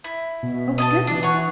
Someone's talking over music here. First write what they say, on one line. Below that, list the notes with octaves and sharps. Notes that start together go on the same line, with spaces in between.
Oh, goodness!
E4
B2
D#5 G#5 A5
E3 D4
C#5 F#5